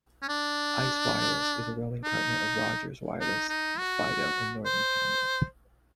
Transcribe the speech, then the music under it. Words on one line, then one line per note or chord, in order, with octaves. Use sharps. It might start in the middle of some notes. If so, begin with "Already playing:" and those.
Ice Wireless is a roaming partner of Rogers Wireless and Fido in Northern Canada.
C#4
D4
D#4
D#4
D#4
F#4
C5